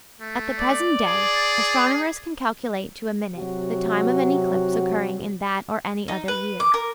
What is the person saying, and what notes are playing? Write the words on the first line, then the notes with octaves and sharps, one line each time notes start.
At the present day astronomers can calculate to a minute the time of an eclipse occurring in that or any other year.
A3
D5
G#4
C3 F#3 F#4
D#4
B4
D6
A#4